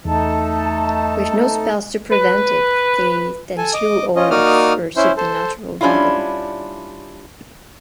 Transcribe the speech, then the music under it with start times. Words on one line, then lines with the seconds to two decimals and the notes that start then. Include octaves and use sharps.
With no spells to prevent it, they then slew all of her supernatural rabble.
0.05 E2 A3 D#4 A4 A5
2.11 B4
3.57 A4 G#5
3.73 D#5 D6
4.16 C#4 F4 D#5
4.31 A#3 D#4 F#4 D5 D#6 F6
4.96 C#4 E4 C5
5.17 A4 C5
5.81 G3 C#4 D4 E4 F4